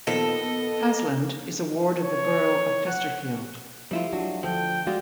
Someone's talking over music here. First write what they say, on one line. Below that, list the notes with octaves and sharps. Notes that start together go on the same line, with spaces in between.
Hasland is a ward of the Borough of Chesterfield.
A#2 D#3 F3 B3 A4 D#5
C#5
F#5
F3 G3 A3 E4 F4
F#3 D4 F#4
D2 F3 A4 G5
G3 G#3 F4 F#4 D5